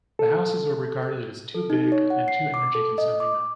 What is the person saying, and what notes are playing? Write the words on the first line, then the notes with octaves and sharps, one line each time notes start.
The houses were regarded as too big and too energy consuming.
A4
A4
D#4
C#5
F#5
C7
D6
A4
D#5
D6